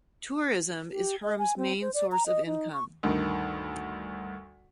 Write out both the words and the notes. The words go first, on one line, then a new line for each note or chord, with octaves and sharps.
Tourism is Herm's main source of income.
G4
D#5
G#5
C4
C5
D5
A#5
D#5
D#4
C#6
D2 G2 D#3